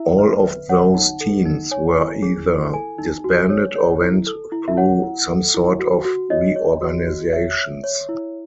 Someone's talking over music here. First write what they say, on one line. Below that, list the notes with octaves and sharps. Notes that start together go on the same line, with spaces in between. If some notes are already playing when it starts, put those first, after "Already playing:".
All of those teams were either disbanded or went through some sort of reorganizations.
Already playing: E4 E5
B4
B4
C#5 F#5
D#4
A4
D#4
C#5 G#5
E4
G#4
E4
A4 G#5
D#4
F#4
C#5
C#5
E4
A4
E4
E5
C#5 F#5
E4
A4
E4
F#4
F#4
C#5 D#5
C#5
F#4
F#4
C#5 E5
C#5
C#5
E4